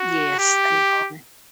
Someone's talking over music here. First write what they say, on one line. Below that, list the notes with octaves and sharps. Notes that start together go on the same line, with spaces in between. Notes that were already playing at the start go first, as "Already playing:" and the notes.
Yes, they are.
Already playing: F#4
G4